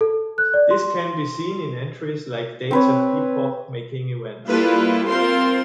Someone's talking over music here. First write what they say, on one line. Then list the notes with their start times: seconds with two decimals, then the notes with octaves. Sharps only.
This can be seen in entries like Dates of Epoch-Making Events.
0.01 A4
0.38 F#6
0.54 D5
0.71 C6
2.71 C4 B4 C#5
4.47 G3 A#3 E4 F4 A4 B4
5.07 C4 F4 A#4 C5 C6